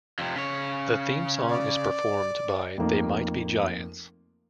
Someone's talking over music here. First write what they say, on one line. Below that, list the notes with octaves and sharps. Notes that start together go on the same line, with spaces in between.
The theme song is performed by They Might Be Giants.
F2 C3
C#3 C#5
D5
F2 A3 A#3 D#4